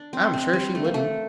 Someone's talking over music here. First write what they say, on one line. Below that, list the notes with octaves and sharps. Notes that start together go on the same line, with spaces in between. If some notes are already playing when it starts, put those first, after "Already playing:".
"I'm sure she wouldn't."
Already playing: D4
C4
C4
G3
A3
A#3
A3